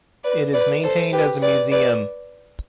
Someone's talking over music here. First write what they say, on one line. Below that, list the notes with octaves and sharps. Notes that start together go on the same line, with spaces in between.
It is maintained as a museum.
B4 D5
B4 D5
A4 C5
G4 B4
B4 D5
B4 D5